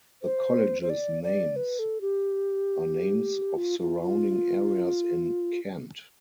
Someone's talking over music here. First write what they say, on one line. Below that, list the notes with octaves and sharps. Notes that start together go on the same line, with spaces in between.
The college's names are names of surrounding areas in Kent.
C5
C5
D5
D5
B4
A4
G4
F4
F4
F4